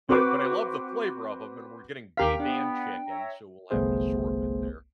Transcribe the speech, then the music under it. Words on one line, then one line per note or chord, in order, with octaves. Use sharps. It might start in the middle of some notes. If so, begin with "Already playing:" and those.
But it but I love the flavor of 'em, and we're getting beef and chicken, so we'll have an assortment there.
C4 F#4 B4 C#6 D6
D#2 G4 A#4 F5 B6
B3 D4 G5
C#5 E5 A#5
G1 C2 A3 B3 G#4 C5